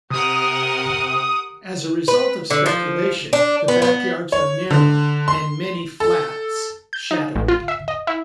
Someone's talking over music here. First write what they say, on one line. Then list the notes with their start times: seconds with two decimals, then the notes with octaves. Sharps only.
As a result of speculation, the backyards are narrow, and many flats shadowy.
0.10 C3 G4 A#4 F#5 D#6
2.08 B4
2.50 D3
2.66 F3
3.33 D4
3.68 B3
3.82 B3
4.32 C#5
4.70 D3
5.28 C6
6.00 A4
6.93 G6
7.11 D#4
7.35 A1
7.48 F4
7.68 E5
7.88 D#5
8.07 E4